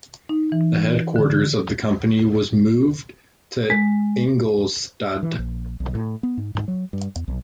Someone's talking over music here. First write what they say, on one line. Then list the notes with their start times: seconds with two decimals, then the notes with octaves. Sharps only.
The headquarters of the company was moved to Ingolstadt.
0.29 D#4
0.52 E3
1.16 D3
3.70 G#3
5.23 E3
5.39 A#1
5.80 B1
5.95 A2
6.23 B3
6.37 G#2
6.55 G#2
6.68 F#3
6.93 G2
7.16 E2
7.28 B1